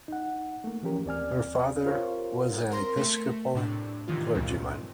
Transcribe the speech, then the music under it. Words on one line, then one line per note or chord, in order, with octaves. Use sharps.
Her father was an Episcopal clergyman.
D#4 F#5
A3 A#3
E3 F3 C#4 G4 A#4
D#2 C4 D5 G#5 F6
F4 G4 A#4 C5 C#5 F5
C4 A#4 C6 A#6
A3
A2 C3 D4
G#2 C3 D#3 E3 F4
C#2 G2 A#2 D#3 C4